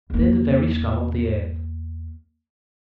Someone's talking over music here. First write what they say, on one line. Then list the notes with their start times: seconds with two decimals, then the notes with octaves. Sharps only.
They're the very scum of the earth.
0.10 E2 A#3